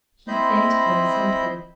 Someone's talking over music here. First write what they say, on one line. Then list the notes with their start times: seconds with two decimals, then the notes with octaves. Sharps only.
He thanked them simply.
0.28 C4 E4 C5 D#5 B5 G6